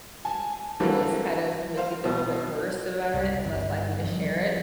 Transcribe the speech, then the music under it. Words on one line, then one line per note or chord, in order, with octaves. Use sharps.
it just kind of makes you feel a little bit worse about it and less likely to share it.
G#5 A5
D3 E3 F#3 G3 A#3 C4
C5 F5
B1 B2
C2
G1
F3 G3 C4